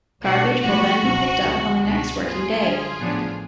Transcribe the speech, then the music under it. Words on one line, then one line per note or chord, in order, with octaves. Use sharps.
Garbage will then be picked up on the next working day.
B1 B2 A3 D4 F#4
A2 F3 G#3 B3 F#4
C#2 B2 F#3
D2 C#3 F3 G#3 B3
C#2 B2 G#3 B3 D4 F#4
F#2 F3 B3 F4 G#4
F#2 D3 F#3 C#4
A1 A2 F3 B3 D4